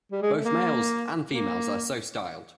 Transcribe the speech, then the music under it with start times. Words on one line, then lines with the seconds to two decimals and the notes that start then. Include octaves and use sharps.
Both males and females are so styled.
0.12 G3
0.23 G#3
0.34 A3
0.45 A#3
1.29 A#3